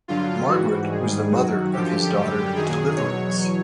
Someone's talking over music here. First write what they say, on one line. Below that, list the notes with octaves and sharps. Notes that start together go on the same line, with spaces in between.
Margaret was the mother of his daughter, Deliverance.
G2 D3 F#3 F4
G#2 E3 G3 F#4
G#2 D#3 G3 G#4
F#2 D#3 F#3 F#4
F#2 D3 F3 G4
F#2 D3 G3
F#2 D#3 F#3 G#4
E2 B2 F#3 C#5